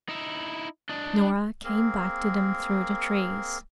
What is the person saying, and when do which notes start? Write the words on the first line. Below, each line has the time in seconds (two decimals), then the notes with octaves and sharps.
Norah came back to them through the trees.
0.09 D#4 E4
0.89 D4 D#5
1.64 A#3 C4 G#4 A#4